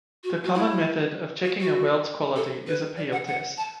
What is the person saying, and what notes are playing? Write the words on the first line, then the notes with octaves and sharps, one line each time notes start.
The common method of checking a weld's quality is a peel test.
F#4
F#4
E4
F#4
F#4
A4
B4
D5
F#5
F#5
A5